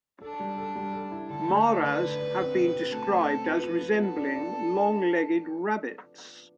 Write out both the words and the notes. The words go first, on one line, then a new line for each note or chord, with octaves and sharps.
Maras have been described as resembling long-legged rabbits.
D4 A4
G3
A4
G3
A4
E4
D3 A4
A3
D4
D3 B4
D4
D4
C4
B2
C4
A3 A4
A3
C4
F3 B4
F3
F3
B3 A4
D4
D4